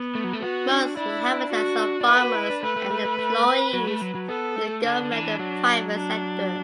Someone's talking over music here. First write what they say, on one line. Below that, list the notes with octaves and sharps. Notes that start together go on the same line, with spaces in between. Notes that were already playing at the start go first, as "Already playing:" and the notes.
Most inhabitants are farmers and employees in government and private sector.
Already playing: B3
A3
F#3
A3
B3 F#4
D4
D4 E4
F#4
D4
E4 B4
A4
F#4
E4
D4
A3 B4
A3
A3
A3
A3
F#3
A3
F#3
F#3
B3 A4
A3
D3 D4
D3
E3
F#3
D4